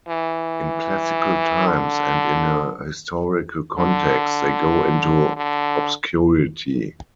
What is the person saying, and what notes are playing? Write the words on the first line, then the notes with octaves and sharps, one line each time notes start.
In classical times and in a historical context they go into obscurity.
E3
D3
D3
D3